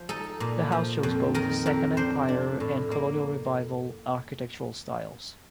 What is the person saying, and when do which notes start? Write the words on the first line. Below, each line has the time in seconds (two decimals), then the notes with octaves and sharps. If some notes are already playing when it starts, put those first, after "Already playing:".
The house shows both Second Empire and Colonial Revival architectural styles.
Already playing: F3
0.09 D#4 A4
0.40 A#2
0.72 F3
1.03 F2
1.34 D#3 A#4
1.66 F2 A#4
1.97 D4 C5
2.29 D4
2.60 A2
2.91 A#3